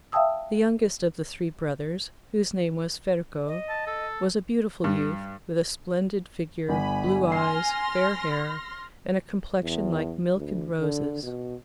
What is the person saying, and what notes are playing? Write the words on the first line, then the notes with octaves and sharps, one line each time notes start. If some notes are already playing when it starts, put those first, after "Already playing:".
The youngest of the three brothers, whose name was Ferko, was a beautiful youth, with a splendid figure, blue eyes, fair hair, and a complexion like milk and roses.
E5 F5 G5 A5 D#6 E6
D#5
A5
A4
G2
G1 G#5 B5
C6 F6 A#6 C7
E2
D2
D3
B2